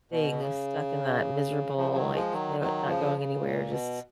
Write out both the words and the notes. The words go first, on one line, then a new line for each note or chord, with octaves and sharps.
Being stuck in that miserable, like, no not going anywhere. Just
B2
C#3
C#3 F3
D#3 F#3
F3 G#3
D#3 F#3
D#3 F#3
C#3 F3
C#3
A#2
B2